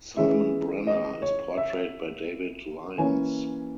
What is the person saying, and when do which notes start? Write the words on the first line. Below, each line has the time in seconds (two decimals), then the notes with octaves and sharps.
Simon Brenner is portrayed by David Lyons.
0.17 E3 G#3 C#4 E5
0.87 D#5
1.22 C#5
1.57 E5
2.98 E3 A#3 C#4 G#5